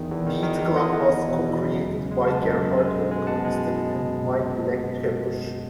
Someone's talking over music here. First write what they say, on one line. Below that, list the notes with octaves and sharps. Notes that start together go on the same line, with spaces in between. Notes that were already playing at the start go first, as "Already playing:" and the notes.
"Beat-Club" was co-created by Gerhard Augustin and Mike Leckebusch.
Already playing: E2 D#3
E2
D#3
D#3
E2
E2 D#5 F#5
E2
E2
B2
E2
F#3
G#3
C#3
G#3
G#3 F#5 A5
F#2
F#2
G#3
B2
G#3
B2 F#5 A5
G#3